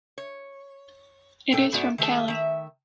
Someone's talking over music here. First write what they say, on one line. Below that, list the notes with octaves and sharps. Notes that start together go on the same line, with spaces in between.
It is from Cali.
C#5
A#2 A4 G5
G#2 A3 B3 F#4 D5
D#3 A3 G#4 A5
D#3 E5